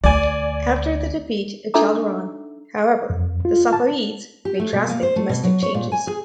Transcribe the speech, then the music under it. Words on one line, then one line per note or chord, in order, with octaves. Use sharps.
After the defeat at Chaldiran, however, the Safavids made drastic domestic changes.
D2 D5 G#5
D4 D#4 A4 E5 A#5 D6
F2
F4
A5
G4
A3
B2
A#3
C5
A3
B2
F#3
C#5
A#2
G#5
G#4